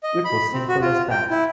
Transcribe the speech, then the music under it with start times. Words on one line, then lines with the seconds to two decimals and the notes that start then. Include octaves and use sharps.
It was simple as that.
0.03 D#5
0.25 B5
0.52 C4
0.68 F#4
0.82 F4
1.10 G5
1.30 E4